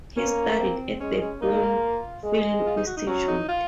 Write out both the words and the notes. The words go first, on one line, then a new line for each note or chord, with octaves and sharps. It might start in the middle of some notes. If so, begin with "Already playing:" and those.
He studied at the Pune Film Institute.
A#3 C#4
C4
G#3 C#4
C#4
A#3 D#4
F4
G#3
F4
D#4
F#4
D#4
F#3 C#4
D#4
F4